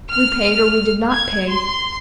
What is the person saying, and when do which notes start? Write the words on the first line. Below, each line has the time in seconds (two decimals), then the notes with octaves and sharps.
We paid or we did not pay.
0.11 F6
1.12 G#6
1.49 C6